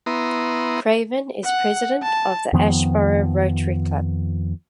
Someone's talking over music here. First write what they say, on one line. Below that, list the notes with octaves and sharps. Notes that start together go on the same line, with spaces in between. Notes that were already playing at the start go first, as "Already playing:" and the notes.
Craven is President of the Asheboro Rotary Club.
B3 E4 A#5 C6 D#6
F#5
A5
F2 D#3 F3 B3